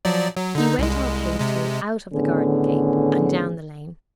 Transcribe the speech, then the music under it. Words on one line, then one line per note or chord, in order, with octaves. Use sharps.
He went off hastily out of the garden-gate and down the lane.
F3 F#3 D5
F#3
D3 D#4
C2 G#3
C3 G#3
A2 D3 D#3 B3 C#4 G#4